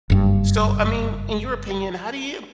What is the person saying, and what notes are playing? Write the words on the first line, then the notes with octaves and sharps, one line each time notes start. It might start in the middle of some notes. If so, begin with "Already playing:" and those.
So, I mean, in your opinion, how do you
F#1 G2